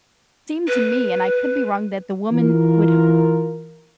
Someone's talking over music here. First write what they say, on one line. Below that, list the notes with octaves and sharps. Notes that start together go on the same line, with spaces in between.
seem to me, and I could be wrong, that the woman would h
B4
E3 F4 A#4